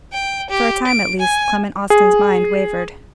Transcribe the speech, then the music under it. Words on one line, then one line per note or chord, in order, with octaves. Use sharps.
For a time, at least, Clement Austin's mind wavered.
G5
G4
D7
G#5
G#4